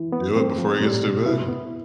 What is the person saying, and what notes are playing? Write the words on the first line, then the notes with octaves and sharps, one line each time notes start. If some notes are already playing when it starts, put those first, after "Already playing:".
Do it before he gets too big.
Already playing: E3
B3
A3 C4
F3
A2 G3
B2
C3 E4
B3